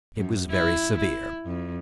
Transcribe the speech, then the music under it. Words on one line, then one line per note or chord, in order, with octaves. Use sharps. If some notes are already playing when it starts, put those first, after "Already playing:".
It was very severe.
F#2
E4
E4
F2